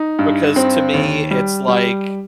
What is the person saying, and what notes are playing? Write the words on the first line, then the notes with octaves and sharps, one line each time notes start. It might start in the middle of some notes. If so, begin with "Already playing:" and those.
because to me it's like
Already playing: D#4
G2
C4
D#2
G3
G3